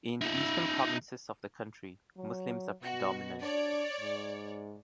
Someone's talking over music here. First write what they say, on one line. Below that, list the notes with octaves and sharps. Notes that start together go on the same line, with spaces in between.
In the eastern provinces of the country Muslims are predominant.
D#4 E5
F#3
B2 F#4
D4 C#5 D5
G#2